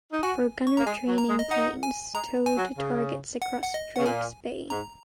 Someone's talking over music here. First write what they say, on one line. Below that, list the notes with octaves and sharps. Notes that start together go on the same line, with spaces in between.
For gunner training planes towed targets across Drakes Bay.
D#4
F#4 G#5
C#6
A#3 A#5
G#3 G#5
F#3
A#5
G#3
D#5
D#4 F#5
G#5
G#3 A#5
G#5
F#3
C#3
F#5
F#5
D#5
C#3 F#5
A#2 G#5
G#2 A#5